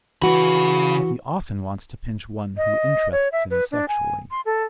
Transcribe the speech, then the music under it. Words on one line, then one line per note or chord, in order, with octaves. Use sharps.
He often wants to pinch one who interests him sexually.
C#3 E3 F#4 B5
D#5
C#5
E5
B4
D4
G#5
C6
A4